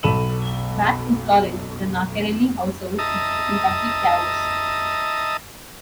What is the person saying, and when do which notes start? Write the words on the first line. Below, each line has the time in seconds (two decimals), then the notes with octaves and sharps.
Back in Florence, the Naccarelli household is in complete chaos.
0.03 B1 A4 B5 D#7 E7 F#7
2.99 D#5 E5 A5 A#5 D#6